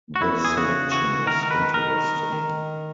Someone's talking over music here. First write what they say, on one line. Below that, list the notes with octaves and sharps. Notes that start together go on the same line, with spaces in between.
The selection is interesting.
F#4
E2 E4
G#4
C#3 F#4
E3 F#4
D#3 A#4
A#4
B4
D#3
A#4
D#3
D#3